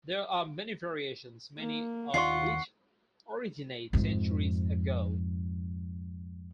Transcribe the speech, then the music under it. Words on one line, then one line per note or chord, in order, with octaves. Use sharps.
There are many variations, many of which originate centuries ago.
A#3
D#2 F4 D5 F#5 C6 C#6 C7
F2 G#2